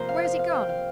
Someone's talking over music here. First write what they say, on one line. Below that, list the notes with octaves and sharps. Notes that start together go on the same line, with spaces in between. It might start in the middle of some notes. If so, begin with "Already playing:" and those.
Where's he gone?
Already playing: F2 C3 F3 A#3 A#4 C5
F5
F5
F5
G5
F5